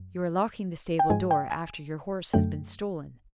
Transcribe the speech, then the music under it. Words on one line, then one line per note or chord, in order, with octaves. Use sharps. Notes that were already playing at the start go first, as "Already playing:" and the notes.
You are locking the stable door after your horse has been stolen.'
Already playing: F#2
G5
G#2 F3 G#3 G#5
G5
G#5
F#2 D3 F#3 A3 G5